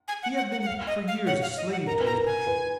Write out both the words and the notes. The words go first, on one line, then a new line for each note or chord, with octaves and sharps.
He had been for years a slave to his passion.
G#5
F#5
F#5
F#5
F#5
F5
D#5
F5
C#5 F#5
F5
D#5
F#5
A#4 A#5
B4
A#5
A#4
G#5
B4